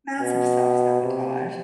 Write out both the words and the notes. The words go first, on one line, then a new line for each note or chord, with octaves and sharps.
massive self-sabotage.
B2
C3